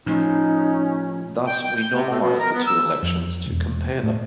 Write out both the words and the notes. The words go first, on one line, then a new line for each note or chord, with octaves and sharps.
Thus, we normalize the two elections to compare them.
A2 F3 C#4 D#4
G5
G5
G6
C3
A2
B2
A#4
B3
E6
F2
E1
A2